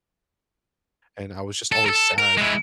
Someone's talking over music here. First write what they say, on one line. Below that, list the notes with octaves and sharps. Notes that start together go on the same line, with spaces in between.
and I was just always sad,
A4
A4 A#4
A#4
G#3 E4